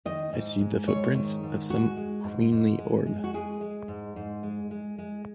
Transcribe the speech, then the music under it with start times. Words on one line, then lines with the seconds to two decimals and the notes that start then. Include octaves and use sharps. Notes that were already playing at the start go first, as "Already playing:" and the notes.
I see the footprints of some queenly orb.
0.05 D#3 D#5
0.33 G#2
0.60 G#3
0.87 G#2 C#5
1.15 D#3
1.43 G#2
1.70 G#3 F#4
1.97 G#3
2.24 G#2
2.52 G#2
2.79 G#3
3.06 G#3
3.24 F#4
3.34 G#3 G#4
3.61 G#3
3.88 G#2
4.16 G#2
4.43 G#3
4.71 G#3
4.98 G#3